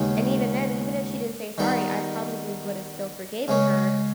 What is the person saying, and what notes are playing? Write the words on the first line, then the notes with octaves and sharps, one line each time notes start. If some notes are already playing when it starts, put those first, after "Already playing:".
And even then, even if she didn't say sorry, I probably would've still forgiven her.
Already playing: D#2 C#3 G#3 B3 G4
D#3 G3 B3 D#4
C#3 G#3 C#4